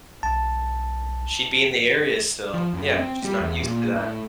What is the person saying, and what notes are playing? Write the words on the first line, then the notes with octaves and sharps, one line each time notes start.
She'd be in the area still, yeah. She's not used to that.
B1 A5
F3
F#2
C4
G3
E2
A#2
A2